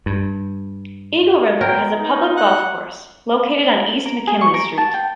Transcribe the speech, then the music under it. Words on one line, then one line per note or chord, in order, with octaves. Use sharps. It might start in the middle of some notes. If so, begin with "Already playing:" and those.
Eagle River has a public golf course, located on East McKinley Street.
G2
B3 A#4 G5
D#4
F#5
A#4
G#4
C#6
A#4
A5
G5